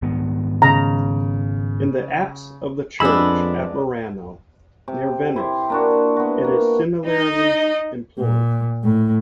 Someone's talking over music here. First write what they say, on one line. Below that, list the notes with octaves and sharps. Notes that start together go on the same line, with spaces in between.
In the apse of the church at Murano, near Venice, it is similarly employed.
G#2 D#3 B3
C#3 A#5
F2 G#3 B3 D4 B5 E6
C3
E4 G4 C5
A#3 D4 F#4
B3 F#4
A#3
D#4 D#5
A#2
A2